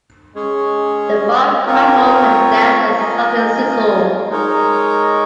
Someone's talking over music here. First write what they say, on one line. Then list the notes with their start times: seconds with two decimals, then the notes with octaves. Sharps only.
The fire crackled and danced, and something sizzled.
0.35 G#3 C#4 G#4 C#5
1.66 C4 F4 A#4 C#5
2.98 F4 A#4 D#5 G#5
4.29 G#3 D#4 A#4 C#5